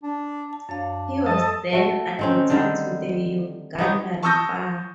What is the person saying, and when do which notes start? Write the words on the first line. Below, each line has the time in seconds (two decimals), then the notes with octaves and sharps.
He was then admitted to the Ugandan Bar.
0.03 D4
0.53 A5
0.69 F#2 D4 C#5 F5
1.26 F3 A4 D#5 A5
1.73 A3 F#4
2.19 D#3 C4 C#4
2.50 D3 D#3 G3
3.78 B3 D#4 G4 C#5
4.22 A5 C#6 D#6 E6 G6 A#6